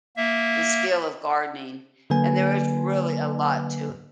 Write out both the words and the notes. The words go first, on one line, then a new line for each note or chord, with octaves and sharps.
the skill of gardening and there is really a lot to
A#3 E5
D3 F#3 A#3 B4 G#5